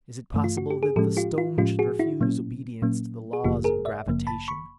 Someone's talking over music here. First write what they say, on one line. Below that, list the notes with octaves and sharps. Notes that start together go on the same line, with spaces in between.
Is it possible that the stone should refuse obedience to the laws of gravitation?
G2 E3 A3
F4
F#4
G4
G#4
A2 F3 G#3 C#4 G4 A4
F4 G4
F4
A2 F3 G#3 C#4 F4 G4
F#4 G#4
E4 F#4
A#2 F#3 A#3 C#4
A#2 F#3 A#3 C#4
G#4
G1 F#2 C#3 F3 A#3 F4 G4
G#4 A#4
D5 E5
G1 F#2 C#3 F3 A#3
A5 B5
B5 C#6